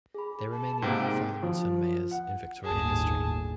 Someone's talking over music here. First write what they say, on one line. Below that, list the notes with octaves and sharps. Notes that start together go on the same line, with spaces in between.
They remain the only father and son mayors in Victoria history.
G#4 B5
A5
G#2 C3 A#3 G5
F3
F#5
G1 D#2 A2 G#4 A5